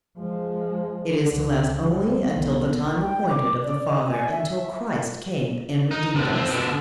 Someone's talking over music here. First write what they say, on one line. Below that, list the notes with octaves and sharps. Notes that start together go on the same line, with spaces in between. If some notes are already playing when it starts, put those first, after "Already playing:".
It is to last only until "the time appointed of the father," until Christ came and redeemed us.
F3 G#3
C#2 D3
G3
B1 B3
G5
D6
D5
D#5
G#5
E5
D#4
C2 D3
F3 C4
B2 D3